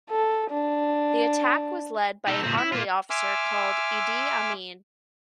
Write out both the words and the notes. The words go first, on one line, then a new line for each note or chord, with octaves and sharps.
The attack was led by an army officer called Idi Amin.
A4
D4
D#4 A4
A#2 C4
E4
A#3 F4
E5 G#5 C6 D6 E6 F6